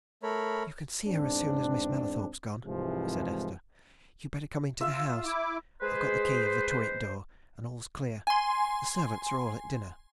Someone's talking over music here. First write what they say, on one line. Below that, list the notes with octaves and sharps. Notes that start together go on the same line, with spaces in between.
"You can see her as soon as Miss Mallathorpe's gone," said Esther. "You'd better come into the house--I've got the key of the turret door, and all's clear--the servants are all at dinner."
A3 A#4 C#5 B5
E2 G#2 C4 D4
C2 G#2 C3 E3 F3 G#3
F4 E5 E6
E4 D6
G#3 G#4 B4 C5
G#5 C6